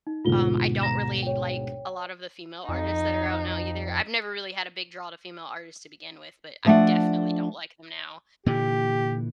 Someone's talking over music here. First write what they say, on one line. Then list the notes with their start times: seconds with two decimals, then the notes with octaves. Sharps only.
Um, I don't really like a lot of the female artists that are out now either. I've never really had a big draw to female artists to begin with, but I definitely don't like them now.
0.07 D#4
0.25 D2 G#2 B2 F4 G7
0.81 A#5 A#6 E7
1.23 C#5 G5
2.69 F2 D#4
6.65 D3 F3 A3 D4 F#5
8.46 A#2 D3 E3 G4